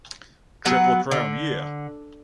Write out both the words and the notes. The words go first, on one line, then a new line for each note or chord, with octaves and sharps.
Triple Crown year.
F#3 B3 F#5
D3